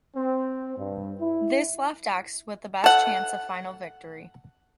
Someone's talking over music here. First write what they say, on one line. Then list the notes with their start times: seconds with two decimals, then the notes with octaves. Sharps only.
This left X with the best chance of final victory.
0.15 C4
0.77 G2
1.19 E4
2.84 A4 F#5